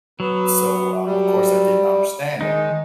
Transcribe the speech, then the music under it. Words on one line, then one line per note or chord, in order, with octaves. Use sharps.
So, um, of course I didn't understand it.
F#3 B3
G3
D#3 G#3 D#4